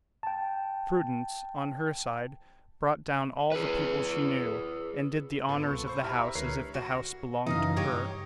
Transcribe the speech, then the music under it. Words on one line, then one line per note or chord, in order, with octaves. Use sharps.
Prudence, on her side, brought down all the people she knew, and did the honours of the house as if the house belonged to her.
G5 A5
G#4 B4
G#2 B3 F4 A4
C2 C#6
C5 B5 C#6 E6
E4 G4 E5 A#5 B5 F6
C#2 D3 A#4 B4 C#5 C7
F#4
F#2 C#3 E3 D#4 D#5 F5
G2 G4 C#5 D#5